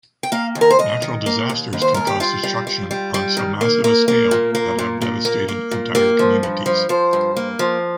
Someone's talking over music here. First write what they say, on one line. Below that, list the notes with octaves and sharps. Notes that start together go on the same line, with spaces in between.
Natural disasters can cause destruction on so massive a scale that have devastated entire communities.
G5
A#3 F5
D#2
A#4
C5
D#2 D#5
D#3
A#3
D#2
D#2
C5
D#2 A#4
G4
G3 F4
G3
G3
G3
G3
D#3
A#3
A#3
A#3
A#2
A#3
A#2
A#2
A#3
A#3
A#2
A#3 G4
F3
G2
F3
F3 C5
G2
A#3
F3